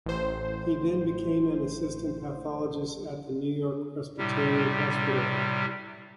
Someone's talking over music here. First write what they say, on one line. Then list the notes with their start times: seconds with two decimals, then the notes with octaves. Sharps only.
He then became an assistant pathologist at the New York Presbyterian Hospital.
0.06 A1 C5
4.18 A2 C3 G3